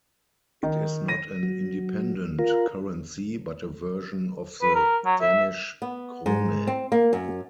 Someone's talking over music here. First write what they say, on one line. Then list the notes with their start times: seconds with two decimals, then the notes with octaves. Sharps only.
It is not an independent currency but a version of the Danish krone.
0.63 D#3 D#4
1.08 A#6 D#7
1.43 F#3
2.39 F4 A#4
4.62 B4
4.75 A#4
5.05 F#3
5.21 E5
5.82 B3
6.26 G#2
6.67 C4
6.92 A#3
7.13 F#2